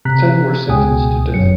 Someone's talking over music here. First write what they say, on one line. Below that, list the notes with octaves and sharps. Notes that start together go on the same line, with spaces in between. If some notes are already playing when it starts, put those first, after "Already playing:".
Ten were sentenced to death.
C3 A#5 F#6 B6
C#2 B2 G#4 G5 G#5 D#6
G1 F#2 F#3 C#7